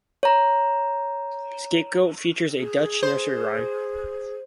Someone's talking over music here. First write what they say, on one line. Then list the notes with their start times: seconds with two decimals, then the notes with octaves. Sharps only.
"Scapegoat" features a Dutch nursery rhyme.
0.23 C#5 A#5
2.57 G#4
3.03 C5